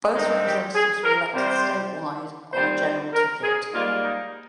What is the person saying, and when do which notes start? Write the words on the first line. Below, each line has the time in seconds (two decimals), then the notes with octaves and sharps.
Both representatives were elected statewide on a general ticket.
0.14 G2 D#3 G#3 C4 D#4
0.44 G4
0.74 G#4
1.04 A#4
1.33 C3 G3 C4 C5
2.52 A#2 G3 C4 C5
3.13 A#4
3.42 G#4
3.72 G#2 G3 A#3 F4
4.03 D#4